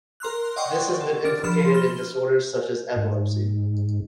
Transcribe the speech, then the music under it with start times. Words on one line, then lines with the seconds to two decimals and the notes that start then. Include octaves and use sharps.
This has been implicated in disorders such as epilepsy.
0.20 A#4 C6 F6 F#6
0.56 D5 D#5 F#5 G5 C6 C#6
1.01 A4
1.24 D4 F6
1.44 F3 B5 C6 E7
1.74 F6 G7
2.96 G#2